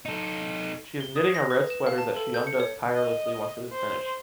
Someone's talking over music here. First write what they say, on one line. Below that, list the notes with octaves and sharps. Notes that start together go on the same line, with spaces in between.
She is knitting a red sweater that she undoes tirelessly once it is finished.
D#4 A4
G7
D#6
A#6
B4
E7
F5
A5
A4
G6
C#7
C#5
D#5
C5